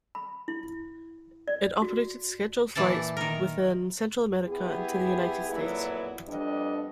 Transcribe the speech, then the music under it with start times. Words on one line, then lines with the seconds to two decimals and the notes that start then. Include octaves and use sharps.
It operated scheduled flights within Central America and to the United States.
0.15 B5
0.48 E4
1.48 D5
1.82 F#4
2.75 A#2 E3 D5 A5
3.17 D#3 A#4
4.46 B3 E4 G4 G#4
5.50 F2 A#2 F#3 B3 E4
6.28 F2 G3 B3 D4 D#5